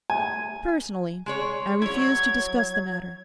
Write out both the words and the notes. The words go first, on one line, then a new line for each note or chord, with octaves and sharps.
Personally, I refuse to discuss the matter.
G#5
G#3 G#4 C#5
F#3 E4 C#5 G#6